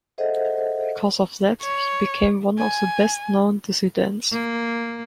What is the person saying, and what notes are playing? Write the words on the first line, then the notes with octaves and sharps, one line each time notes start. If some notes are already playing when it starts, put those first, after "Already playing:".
Because of that he became one of the best known dissidents.
G#4 A4 C5 D#5 E5 F#5
C#5
G#5
A#3